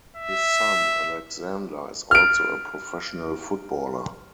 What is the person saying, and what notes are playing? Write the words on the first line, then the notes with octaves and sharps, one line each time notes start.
His son Alexander is also a professional footballer.
E5
F6 D7